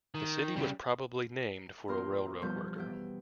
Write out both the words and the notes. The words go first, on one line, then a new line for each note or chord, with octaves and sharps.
The city was probably named for a railroad worker.
D#3
C#3 G3
E2 A#2 F4 A#4 C5 C6
E2 B2 F3 G3 G6
E3 E4 G5